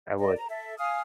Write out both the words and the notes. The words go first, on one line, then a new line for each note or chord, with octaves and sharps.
I would.
D5 D#5
A#5
A4 E5
F5 G#5 D#6 F6